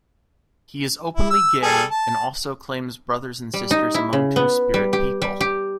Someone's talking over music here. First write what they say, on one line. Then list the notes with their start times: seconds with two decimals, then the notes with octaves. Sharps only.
He is openly gay, and also claims brothers and sisters among Two-Spirit people.
1.16 E4
1.30 E6
1.63 G3 G#4 A4
1.91 A5
3.54 G3
3.71 D#4
3.94 E4
4.13 C#3
4.36 B3
4.74 G3
4.93 G4
5.22 G3
5.41 G4